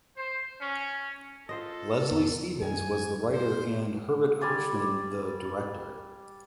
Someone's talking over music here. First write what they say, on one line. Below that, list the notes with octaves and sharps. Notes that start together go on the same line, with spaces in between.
Leslie Stevens was the writer and Herbert Hirschman the director.
C5
C#4
F4 A4 C5 D#5
F2 B3
F#2 D#3 G#5
C5
G3 D5 G#5 C6